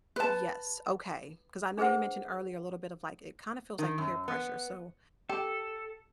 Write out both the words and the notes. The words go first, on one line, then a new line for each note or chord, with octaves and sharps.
Yes. Okay, 'cause I know you mentioned earlier a little bit of, like it kinda feels like peer pressure so,
B4 A5
D4 G#4 B4 C5 F#5
D#3
F#2
B3
G4 A4